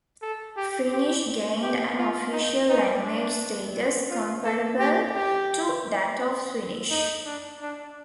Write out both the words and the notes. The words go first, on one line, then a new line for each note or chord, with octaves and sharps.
Finnish gained an official language status comparable to that of Swedish.
A4
G4
G4
G4
F4
D#4
D#4
D4
F4
A4
G4
G4
D#4
D4
D4